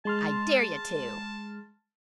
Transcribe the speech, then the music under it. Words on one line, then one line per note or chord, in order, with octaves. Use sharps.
"I dare you to!"
G#3 A5 C6 F6